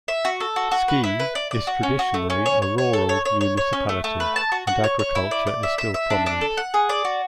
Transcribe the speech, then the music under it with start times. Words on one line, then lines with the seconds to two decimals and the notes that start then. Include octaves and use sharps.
Ski is traditionally a rural municipality, and agriculture is still prominent.
0.08 E5
0.25 F#4
0.40 A4
0.56 F#4
0.71 F#4
0.88 B4
1.04 E4
1.20 B4
1.35 D5
1.51 D5
1.67 F#4
1.83 C#4
1.99 F#4
2.14 A3
2.30 C#4
2.46 C#5
2.62 C#5
2.78 C#5
2.93 A4
3.09 C#5
3.25 C#5
3.41 C#5
3.57 C#5
3.73 C#4
3.89 A3
4.04 A3
4.20 B4
4.36 A5
4.52 F#4
4.67 F#4
4.84 C#5
4.99 C#5
5.15 E4
5.31 D5
5.47 D5
5.63 E5
5.78 E5
5.94 E5
6.10 D4
6.26 D4
6.41 A4
6.57 F#5
6.74 G#4
6.89 D5
7.05 F#4